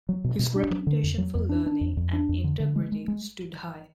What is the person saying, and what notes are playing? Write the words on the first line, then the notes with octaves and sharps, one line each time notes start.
His reputation for learning and integrity stood high.
F#3
B2
B2
D4
F#3
D3
F2
F#3
F2
D4
D4
F2
F2
D4
F2
D3
D3
G#3
G#3
G#3